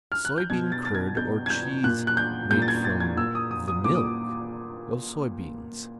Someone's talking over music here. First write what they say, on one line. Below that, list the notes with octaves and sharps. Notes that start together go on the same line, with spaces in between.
Soybean curd or cheese made from the "milk" of soybeans.
F6
F#6
G6
B2 G#6
A6
A6
G#6
B2 G6
G#6
G6
A#2 F#6
F#6
G6
A#2 G6
A6
G#6
A6
G#6
A#2 E6
D#6
D#6
D#6
A#2 D6
D#6